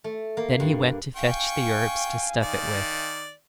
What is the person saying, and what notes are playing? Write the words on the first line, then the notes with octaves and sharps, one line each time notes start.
Then he went to fetch the herbs to stuff it with.
A3
A#3
G2
F5 G5 G#5 C#6
D#3 D5